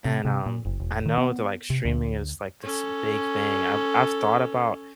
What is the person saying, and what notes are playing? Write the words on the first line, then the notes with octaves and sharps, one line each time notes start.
and, um, I know that, like, streaming is, like, this big thing. I've I've thought about
C3
C3
A#2
F#1
E1
D#3
B3
C3
D2
C#4 A4